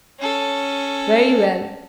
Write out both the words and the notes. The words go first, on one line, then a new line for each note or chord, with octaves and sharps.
'Very well.
C#4 A4